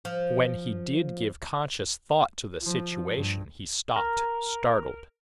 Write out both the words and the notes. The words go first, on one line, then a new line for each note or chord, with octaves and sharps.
When he did give conscious thought to the situation he stopped, startled.
F3
F3
G2
A#4